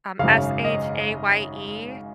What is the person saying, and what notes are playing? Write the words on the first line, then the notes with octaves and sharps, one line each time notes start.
Um, S-H-A-Y-E,
G#1 F#2 C#3 F5
D#5